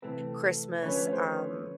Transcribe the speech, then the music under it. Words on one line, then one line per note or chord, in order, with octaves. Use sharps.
Christmas, um,
D2 C3 E3 A3 C4 A4 B4
D3 F3 A3 C#4 B4 C#5
C5
B4 C#5